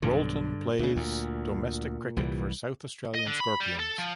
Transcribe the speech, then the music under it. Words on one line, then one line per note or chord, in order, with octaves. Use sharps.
Rolton plays domestic cricket for South Australian Scorpions.
B1 G2 D3
D2 C#3
D2 A#2
C2 E3 G3
D#5
D3
B5
G3
A4
F3